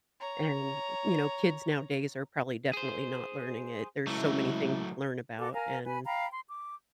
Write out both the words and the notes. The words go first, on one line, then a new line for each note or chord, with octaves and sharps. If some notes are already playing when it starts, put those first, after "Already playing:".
and, you know, kids nowadays are probably definitely not learning it, there's so many things to learn about, and,
C#5 A#5
G#4 C5
C#2 F#3 A3 E4
F#4 A4 D6
A#4 F5 G#5 A#5
B4 G#5 B5
F5 G5 A#5 B5
C6
D6